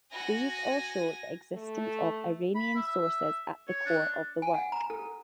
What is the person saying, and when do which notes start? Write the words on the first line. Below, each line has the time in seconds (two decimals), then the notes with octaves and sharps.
These all show "the existence of Iranian sources at the core of the work".
0.12 F#4 G#5 A#6
1.54 A3
2.55 B5
2.76 E5
3.68 C#5
3.85 D4
4.42 G#5
4.54 F#5
4.72 A#5
4.90 A4